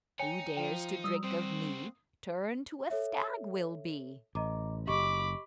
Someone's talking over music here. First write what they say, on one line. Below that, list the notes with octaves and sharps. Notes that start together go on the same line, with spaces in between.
"Who dares to drink of me, Turned to a stag will be."
D#4 C#5 G5 G#5 C#7
F3 G5
G3 D#6 E6
A#2 C4 F#4
A4 C#5 E5
A1 D#5 A#5 D6
F#1 G4 D#5 B5 C#6 D6